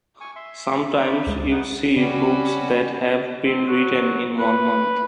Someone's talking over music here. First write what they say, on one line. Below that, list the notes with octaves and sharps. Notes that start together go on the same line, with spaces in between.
Sometimes you see books that have been written in one month.
G#5 C#6
E5 C6
D#4 D5 B5
C#2 G#3
B3 D#4 F#5
C#3 G3 C#4 F#4 B4
C4
F#3
B4